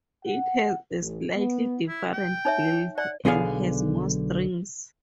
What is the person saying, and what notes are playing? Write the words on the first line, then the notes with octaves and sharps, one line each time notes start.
It has a slightly different build and has more strings.
F#5
A1
B3
E4
G5
D#4 C#5 E5
D5 F#5
B1 D3 B3 G#4 D5 F5